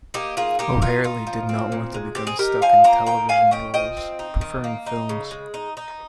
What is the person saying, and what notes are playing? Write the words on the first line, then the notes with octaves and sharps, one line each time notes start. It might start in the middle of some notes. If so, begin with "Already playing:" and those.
O'Herlihy did not want to become stuck in television roles, preferring films.
A#3 D#4 G4
D#3 F4 G#4
A#3 D#4 G4
D#4 F4
D#4 F4
F3
C4
A#2
G#3
C4 G4
G#4
D#4 G4 A#4
F3 F5 G#5
A#3 G5 A#5
D#3 G5 A#5
A#3 F5 G#5
C#4 D#5 G5
F3 D#5 G5
C4
D#4
D#3
A#3
D#4
C#3
G#3
D#4
D#4